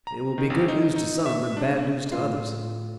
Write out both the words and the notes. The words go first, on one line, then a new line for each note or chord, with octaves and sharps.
It will be good news to some, an' bad news to others.
A#5
D#3
G1
D#4
D#4
E5
D4
A2 A3 F4